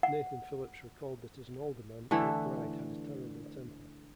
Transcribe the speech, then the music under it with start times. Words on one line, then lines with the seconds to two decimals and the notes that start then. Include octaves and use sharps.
Nathan Phillips recalled that as an alderman, McBride had a terrible temper.
0.03 F#5
2.11 D3 E3 A3